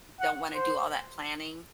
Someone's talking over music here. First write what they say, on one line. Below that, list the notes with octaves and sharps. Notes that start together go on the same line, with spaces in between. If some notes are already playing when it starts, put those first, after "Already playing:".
don't want to do all that planning
F#5
C5